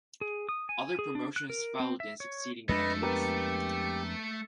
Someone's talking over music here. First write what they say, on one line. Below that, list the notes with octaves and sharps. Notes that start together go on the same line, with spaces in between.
Other promotions followed in succeeding decades.
G#4
D#6
G#5
G#4
D4
F#6
A#4
C4
E5
C#5
F2 G#3 A3 D4 B4 D#5
B3 G4 A#4 B4